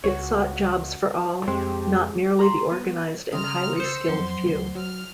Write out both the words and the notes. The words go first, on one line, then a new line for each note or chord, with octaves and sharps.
It sought jobs for all, not merely the organised and highly skilled few.
C#2 F#4 C#5
F2 G#3 C4 G4
A#5 C6
B3
C#3 A#5 C6 D#6 F6
C5 E6 C#7
F2 F#3 C6
D2
F#3 F6